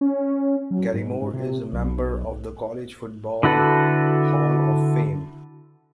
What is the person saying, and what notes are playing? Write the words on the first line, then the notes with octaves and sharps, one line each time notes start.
Galimore is a member of the College Football Hall of Fame.
C#4
F#3
G#2
G#2
C3
B1
D3 E4 F#4 A4 B4